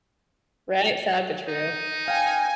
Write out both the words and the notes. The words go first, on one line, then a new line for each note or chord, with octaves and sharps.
Right, sad but true.
D#4
F5 G5 G#5